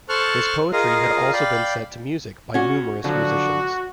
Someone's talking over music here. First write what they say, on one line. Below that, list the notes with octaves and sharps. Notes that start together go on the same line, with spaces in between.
His poetry had also been set to music by numerous musicians.
A4 C5 A5 C#6 F6 F#6
F4 G#4 A#4 D#5 F5
D5 F5 G5 B5
C#4 F#4
D3 F3 F#3 F#4